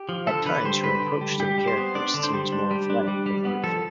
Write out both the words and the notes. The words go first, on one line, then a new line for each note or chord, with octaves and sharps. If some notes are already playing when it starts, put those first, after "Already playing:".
At times her approach to the character seems more athletic than artful.
Already playing: G4
F3
D3 A4
D3 B4
G3 C5
D3 B4
D3
G3
G3 G4
G3
C5
B3
D4 D5
D3
C5
G3
D4
G3
D4
G3
G3
B3
F3 A4